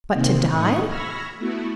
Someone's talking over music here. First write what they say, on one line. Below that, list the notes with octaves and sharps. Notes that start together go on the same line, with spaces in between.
But to die?
C3 D#3 A#3 C4
A2 D#4 C#6 D#6
B5 C#6 E6 F6 G#6 A#6
A3 B3 E4 F#4